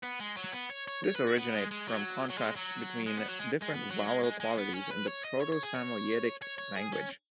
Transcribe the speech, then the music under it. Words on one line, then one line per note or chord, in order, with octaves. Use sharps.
This originates from contrasts between different vowel qualities in the Proto-Samoyedic language.
B3
G#3
F#3
B3
C#5
C#5
C#5
B4
F#4
B3
G#3
G#3
F#3
F#3
G#3
F#3
G#3
B3
F#3
G#3
G#3
B3
F#3
G#3
G#3
G#3
B3
C#4
B4
C#5
D#5
C#5
C#5
G#4
C#5
C#5
C#5
G#4
C#4